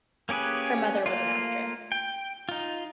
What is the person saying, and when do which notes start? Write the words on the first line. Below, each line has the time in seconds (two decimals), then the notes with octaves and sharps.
Her mother was an actress.
0.29 A#3 C#4 G4 G#4 B4
1.06 A3 A#3 F4
1.92 G5
2.49 D#4 F4